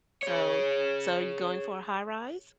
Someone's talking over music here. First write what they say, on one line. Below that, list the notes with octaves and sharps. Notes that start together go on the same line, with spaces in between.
so so you going for a high-rise?
G#4 C#5